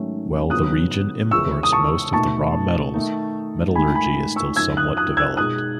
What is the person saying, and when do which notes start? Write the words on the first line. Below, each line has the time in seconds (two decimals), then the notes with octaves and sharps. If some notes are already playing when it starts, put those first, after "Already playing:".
While the region imports most of the raw metals, metallurgy is still somewhat developed.
Already playing: G#2 D#3 F#3 A3 C#4
0.50 C#3 F#3 B3 D#4 D#6 F#6
1.31 E2 C#3 E3 G#3 C#6 E6
1.63 D#6
1.72 A5 C#6
2.13 B2 A3 D#4 A5 C#6
2.94 D#3 A3 D#4
3.75 G#2 D#3 A3 G#5 B5
3.95 G#5 B5
4.36 C#6 E6
4.56 F#2 D#3 F#3 E6 G#6
4.77 D#6 F#6
4.97 D#6 F#6
5.17 E6 G#6
5.37 B2 G#3 D#4 D#6 F#6